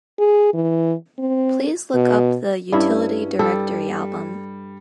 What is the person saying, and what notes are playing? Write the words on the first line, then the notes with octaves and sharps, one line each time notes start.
Please look up the Utility Directory album.
G#4
E3
C4
B2
G2 C#4 E4
G3 A4